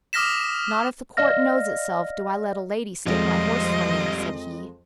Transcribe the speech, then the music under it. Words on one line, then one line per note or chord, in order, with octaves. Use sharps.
"Not if the court knows itself do I let a lady stake my horse for me," said he.
D6 D#6 F6 A#6 B6 E7
D5 D#5 F5 F6 A#6
F2 F3 G3 G#3 F4 A4 C5 D#5